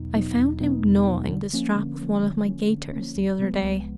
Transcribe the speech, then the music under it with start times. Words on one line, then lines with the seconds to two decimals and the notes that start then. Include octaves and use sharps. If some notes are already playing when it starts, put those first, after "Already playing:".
"I found him gnawing the strap of one of my gaiters the other day."
Already playing: E2 B2 F#3 B3 D#4
0.14 B2 F#3 B3 D#4
0.37 E2
0.60 B2 F#3 B3 D#4
0.83 E2
1.06 B2 F#3 B3 D#4
1.29 D3
1.53 F3 A#3 C#4
1.76 D3
2.00 F3 A#3 C#4
2.22 D3
2.46 F3 A#3 C#4
2.70 D3
2.93 F3 A#3 C#4
3.15 C2
3.39 C3 F3 G#3 B3
3.62 C2